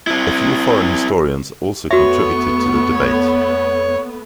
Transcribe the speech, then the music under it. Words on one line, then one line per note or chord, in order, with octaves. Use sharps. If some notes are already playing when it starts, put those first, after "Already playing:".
A few foreign historians also contributed to the debate.
C4 E4
F2 A3 B3 F#4 C#5 E5